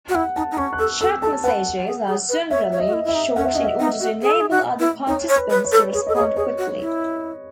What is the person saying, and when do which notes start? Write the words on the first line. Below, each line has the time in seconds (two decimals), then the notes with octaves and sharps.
Chat messages are generally short in order to enable other participants to respond quickly.
0.09 F#4
0.14 E4 F#5
0.36 D#4 A5
0.51 D#4
0.57 C#4 C#6
0.73 F#6
0.79 A4 E6
1.01 A4 E6
1.22 A4 A5
1.43 B4 F#5
1.87 G#4
2.08 G#4
2.29 B4
2.51 C#5 E5
2.72 C#5
2.80 D#5
2.87 F#4
2.93 E4
3.04 E4 E5
3.14 D#4
3.36 C#4 F#5
3.45 E5
3.53 C#4 D#4 D#5
3.64 E5
3.80 D#4
4.00 F#4
4.22 G#4
4.31 A4
4.41 G#4
4.51 F#4
4.79 E4
5.07 D#4 C#5
5.29 C#5
5.36 B4
5.50 B4
5.64 C#5
5.72 A4
5.93 G#4 C#5
6.07 A4 D#5
6.15 G#4
6.19 C#5
6.36 G#4 C#5
6.58 F#4
6.80 E4